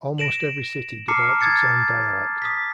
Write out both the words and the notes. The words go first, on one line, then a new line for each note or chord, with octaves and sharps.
Almost every city developed its own dialect.
A#6 D7 E7 F#7
A5 A#5 D6 F6 C7 C#7
D#6 G#6 A6 C#7
D#6 B6